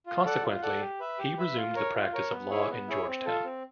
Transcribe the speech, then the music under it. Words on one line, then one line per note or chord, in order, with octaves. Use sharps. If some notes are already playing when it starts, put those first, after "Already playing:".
Consequently, he resumed the practice of law in Georgetown.
F4
A4 D5 F#5
F4
A4 D5 F#5
G4
B4 E5
G4
B4 E5
F4
A#4 C#5
F4
A#4 C#5
B3
E4 G#4 C#5
B3
E4 G#4 C#5
C4
F4 A4
C4